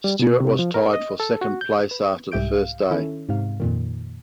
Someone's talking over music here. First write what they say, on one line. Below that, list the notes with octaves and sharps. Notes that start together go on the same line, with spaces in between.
Stewart was tied for second place after the first day.
G3
B2
C3
F3
A#4
D#5
A4
F#4
G6
B4
C2 G#2 G4 E5 G6 D7
F5
D#3 C#4 E4 A4
G#2 C3 F5
F2 A#2 D#3